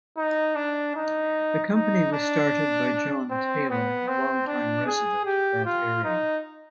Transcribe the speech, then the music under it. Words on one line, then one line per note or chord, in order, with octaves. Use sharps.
This company was started by John Taylor, a long-time resident of that area.
D#4
D4
D#4
D#4
D4
C4
B3
C4
D4
G#4
G4
F4
D#4